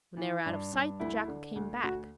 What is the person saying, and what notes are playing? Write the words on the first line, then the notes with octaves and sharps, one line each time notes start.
When they were out of sight the jackal came back.
E3
G2
G2
D2 E4
D3
D2
D2 F#4